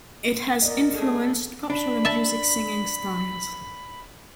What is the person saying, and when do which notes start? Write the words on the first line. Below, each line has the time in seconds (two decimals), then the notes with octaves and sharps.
It has influenced popular music singing styles.
0.62 A#4 D5 D#5
0.94 A3 G#4 A4
1.70 D4 B5
2.05 E5 A5